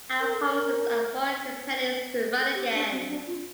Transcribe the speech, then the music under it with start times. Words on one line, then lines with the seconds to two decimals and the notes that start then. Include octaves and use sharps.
Our promises are for companies to run again.
0.20 A#4
0.33 A4
0.46 A#4
2.38 A4
2.55 G4
2.74 D4
2.92 C4
3.09 D4
3.27 F4